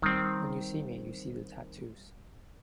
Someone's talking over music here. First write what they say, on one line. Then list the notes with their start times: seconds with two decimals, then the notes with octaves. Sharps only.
When you see me, you see the tattoos.
0.02 D#3 G3 C4